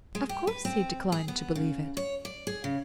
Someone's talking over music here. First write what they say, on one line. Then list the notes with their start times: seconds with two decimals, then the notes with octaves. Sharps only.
Of course he declined to believe it.
0.15 G#3
0.29 G4
0.47 B4
0.65 C4
1.12 G#4
1.28 B3
1.55 C#3
1.97 C#5
2.25 D5
2.47 G#4
2.64 C#3